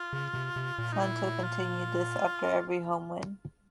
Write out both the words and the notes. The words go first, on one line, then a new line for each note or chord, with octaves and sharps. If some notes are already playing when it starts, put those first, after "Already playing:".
Santo continued this after every home win.
Already playing: F4
C#3
C3
C3
A#2
D#4
E4
F4